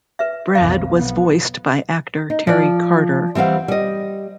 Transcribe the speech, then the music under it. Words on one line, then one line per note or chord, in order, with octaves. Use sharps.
Brad was voiced by actor Terry Carter.
B4 E5
B1 F2 D#3 F5
B1 B3
D#4
F3 D5
E3 G3 C4 F5 F#5
G3 D#5